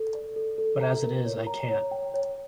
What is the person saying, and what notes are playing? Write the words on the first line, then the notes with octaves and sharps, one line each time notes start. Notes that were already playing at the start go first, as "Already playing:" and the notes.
But as it is I can’t.
Already playing: A4
D5
A4
A4
A#5
A#4
C#5
A#5
C#5
G5
C#5